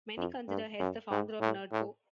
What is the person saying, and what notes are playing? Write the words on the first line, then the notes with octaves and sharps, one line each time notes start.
Many consider Hess the founder of Nerdcore.
F2
G2
F#2
G#2
A2
A2